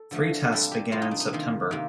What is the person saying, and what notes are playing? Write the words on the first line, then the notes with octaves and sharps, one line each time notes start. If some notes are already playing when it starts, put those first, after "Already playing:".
Three tests began in September.
Already playing: A4
D3 F3 A3
C3 G3 A#3 A4
G4
C3 G3 A#3 F4
D#4
D4
D#4
C3 D#3 A#3
C3 D#3 A#3